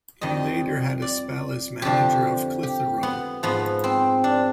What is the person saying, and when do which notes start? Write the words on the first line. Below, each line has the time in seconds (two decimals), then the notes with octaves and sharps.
He later had a spell as manager of Clitheroe.
0.21 F2 D#3 G3 D#5
1.02 D5
1.82 F2 D3 F3 G4
2.63 G4
3.03 B3
3.43 G#2 F3 B3
3.84 C4
4.24 D4